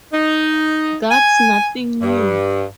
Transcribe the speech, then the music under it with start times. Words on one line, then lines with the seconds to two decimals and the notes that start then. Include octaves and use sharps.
That's nothing new.
0.12 D#4
1.10 G#5
2.01 G2